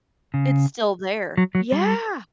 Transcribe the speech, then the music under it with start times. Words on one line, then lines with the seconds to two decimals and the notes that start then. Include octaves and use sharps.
It's still there, yeah.
0.34 C#3
1.37 F#3
1.55 F#3
1.72 G3